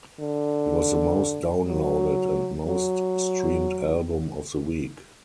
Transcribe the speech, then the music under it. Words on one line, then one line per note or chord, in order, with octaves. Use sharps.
It was the most downloaded and most streamed album of the week.
D3
F#3
F#3